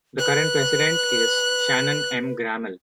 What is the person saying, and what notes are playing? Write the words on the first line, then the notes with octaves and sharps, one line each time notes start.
The current president is Shannon M. Grammel.
B4 F#6